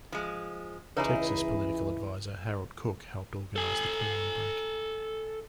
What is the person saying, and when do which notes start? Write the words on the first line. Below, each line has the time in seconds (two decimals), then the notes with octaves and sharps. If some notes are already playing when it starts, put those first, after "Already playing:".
Texas political advisor Harold Cook helped organize the quorum break.
0.12 F3 G#3
0.97 C#2 E3 D#4 E4 G#4 B4 C#5 A#5
3.56 A4 G#5